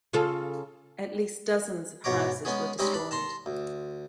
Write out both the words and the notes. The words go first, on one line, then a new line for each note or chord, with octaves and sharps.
At least dozens of houses were destroyed.
C#3 F4 A4
G#2 B2 C#5 A#5 D6
G#3 B3 C#4 G#4
G3 G#3 C4 C#4 D#4 G4
D4 B5
A5 A#5 C6
D2